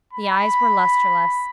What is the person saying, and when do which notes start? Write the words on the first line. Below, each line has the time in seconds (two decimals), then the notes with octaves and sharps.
The eyes were lustreless.
0.13 B5